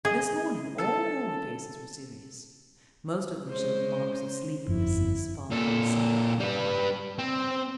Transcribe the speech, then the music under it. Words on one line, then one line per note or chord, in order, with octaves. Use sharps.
This morning all the faces were serious; most of them showed the marks of sleeplessness following the second murder.
G#4 D#5
A4 A5
C#3 G#3 C5
G1 F2 F3 E4
A#2 A4
G3 B4
C4